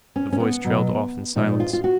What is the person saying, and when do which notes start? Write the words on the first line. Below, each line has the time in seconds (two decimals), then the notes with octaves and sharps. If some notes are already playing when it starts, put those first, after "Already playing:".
The voice trailed off in silence.
0.16 C#4
0.33 C#4
0.40 B3
0.64 B2 F#3
1.36 A#2 F3 G#3 D#4
1.60 F4
1.73 F4
1.84 F#4